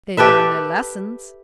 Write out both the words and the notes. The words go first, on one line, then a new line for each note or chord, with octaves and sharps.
"They learn their lessons."
G4 A4 B4 E5